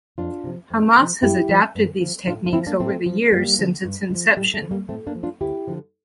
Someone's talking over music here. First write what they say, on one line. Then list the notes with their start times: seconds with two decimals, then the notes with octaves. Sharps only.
Hamas has adapted these techniques over the years since its inception.
0.18 F2 D4 F4
0.44 C3 F3
0.70 F2
0.97 C3 F3
1.22 G2 E4 G4
1.49 F3
1.75 G2
2.01 F3
2.27 A2 D4 F4
2.46 F4
2.53 F3 C4 E4
2.67 A#3 D4
2.80 A2 A3 C4
3.06 F3
3.32 G2 G3 A#3
3.59 D3 F3
3.84 G2
4.10 D3
4.15 F3
4.36 A2 G3
4.54 A3
4.62 F3
4.71 G3 A#3
4.88 A2 A3 C4
5.07 A#3 D4
5.15 F3
5.23 D4 F4
5.41 D2 E4 G4
5.67 D3 F3